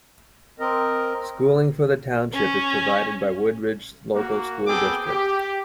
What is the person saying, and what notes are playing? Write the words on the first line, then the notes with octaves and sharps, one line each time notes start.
Schooling for the township is provided by Woodridge Local School District.
C4 A#4 D#5
C#4
A#3 F#4
B3 C4 G#4 A4 G5 D6
G4